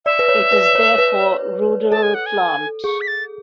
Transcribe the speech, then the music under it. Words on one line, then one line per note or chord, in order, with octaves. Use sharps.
It is, therefore, ruderal plant.
D5 E5
B4
C#5
B4
C#5
B4
A4 A5
G#5
F#5
G#5
G#4 C#6
B6
A6